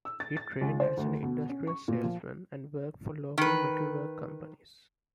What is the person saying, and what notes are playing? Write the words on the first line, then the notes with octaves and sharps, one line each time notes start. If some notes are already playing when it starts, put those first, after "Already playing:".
He trained as an industrial salesman and worked for local metalwork companies.
E6
A6
A6
C#2
C5
D2
B2
C#4
C#6
A#2
F3
D#3 B4